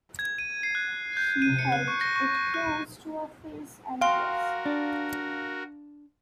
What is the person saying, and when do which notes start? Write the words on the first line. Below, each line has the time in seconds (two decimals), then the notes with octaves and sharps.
She held it close to her face and breast.
0.19 G#6
0.38 D#7
0.63 C7
0.75 F#6
1.17 G6
1.42 D#7
1.59 C#7
1.72 F#6
1.88 C#6
2.01 A#6
2.16 C#6
2.54 F#6
4.01 F#4 A#4 F5 G5 C6
4.66 D4